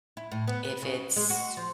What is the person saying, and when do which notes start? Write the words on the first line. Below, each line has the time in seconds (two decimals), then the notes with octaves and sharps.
if it's
0.17 E4
0.32 A2
0.48 B3
0.65 B4
0.82 C#3
1.16 G#3
1.30 F#4
1.57 F3